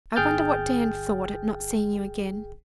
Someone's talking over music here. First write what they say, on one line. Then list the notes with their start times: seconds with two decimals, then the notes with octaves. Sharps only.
I wonder what Dan thought at not seeing you again?
0.16 G1 G#4 G5 F6 G6 A6